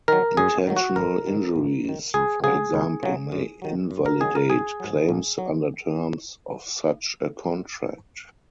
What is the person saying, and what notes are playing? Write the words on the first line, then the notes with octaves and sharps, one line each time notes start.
Intentional injuries, for example, may invalidate claims under terms of such a contract.
D#3 F#3 A#4
F#2 G#4
D#3 F#3
F#4
G#1 A#4
F#2 D#3
G#1
F#2 D#3
C#2 G#4
C#3 F#3 G#4
C#2
C#3 F#3
F#2
D#3 F#3
F#2
A#4
D#3 F#3 G#4
A#4
A#1 G#4
G#2 F#3
A#1
F#3